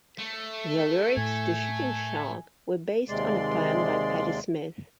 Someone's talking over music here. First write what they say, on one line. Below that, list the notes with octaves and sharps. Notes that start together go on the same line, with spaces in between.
The lyrics to "Shooting Shark" were based on a poem by Patti Smith.
A3
A2 G#5
D#2 C3 G#3 D5 C6